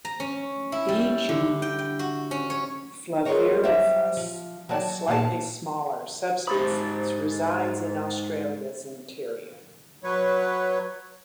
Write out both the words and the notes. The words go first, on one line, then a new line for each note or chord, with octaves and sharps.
"V. g. flavirufus", a slightly smaller subspecies, resides in Australia's interior.
A#5
C#4
E4
G3
D3
G5
G5
F#4
C#4
C#5
F4 G#4 A#4 B4 C#5 D#5
F#3 G3 G4 C5 E5
F3
F#3 F#4 D5 A5
A#2 D#3 F3 B3 F5 A5
G#2 G4 C5 B5 D#6 A6
F#3 B4 C#5